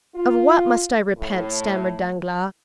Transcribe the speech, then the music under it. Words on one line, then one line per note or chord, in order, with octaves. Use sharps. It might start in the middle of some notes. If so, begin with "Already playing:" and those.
"Of what must I repent?" stammered Danglars.
F4
A2